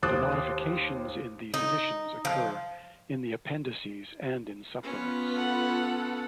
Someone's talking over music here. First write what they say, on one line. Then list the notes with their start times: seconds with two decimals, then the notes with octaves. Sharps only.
The modifications in these editions occur in the appendices and in supplements.
0.03 D#2 C5 D6 D#6 F#6 A6
1.54 D#4
2.25 F3
4.83 B3 C#4 F4 B4
5.34 A4 F#5